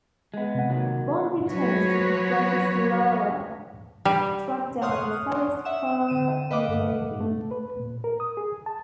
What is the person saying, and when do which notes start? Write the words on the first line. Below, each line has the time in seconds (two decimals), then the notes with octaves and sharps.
Bond returns to Bratislava to track down the cellist, Kara Milovy.
0.34 G#3 B3
0.55 C3 F#5
0.70 A#2 D#3 F#3
1.48 F3 F#3 F#4 B4 C#5
4.05 G3
4.82 C#5 F#5 C6 D#6 F6 F#6
5.65 E5 F#5 E7
6.08 D3 D#7 E7
6.51 B4 D#5 F5 F#5 D6
6.69 G2 F#5
7.21 A3
7.51 B4
7.80 A#2
8.04 A#4
8.20 D#6
8.37 G#4
8.66 A5